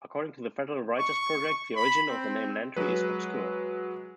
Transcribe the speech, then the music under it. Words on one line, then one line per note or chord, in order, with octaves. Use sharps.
According to the Federal Writers' Project, the origin of the name Lantry is obscure.
C#6
B5
C4
F#3 G#3 B4